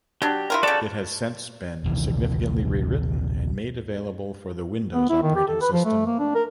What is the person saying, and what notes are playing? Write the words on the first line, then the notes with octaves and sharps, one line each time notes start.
It has since been significantly rewritten and made available for the Windows operating system.
F#3 D4 G4
E4 F4 A#4
C#3 F#4 A4 D5 A5
A#1 D#2 C3 E3
B3
E4
D#3
G4
A4
B4
F3
A3
A#3
D4
A#4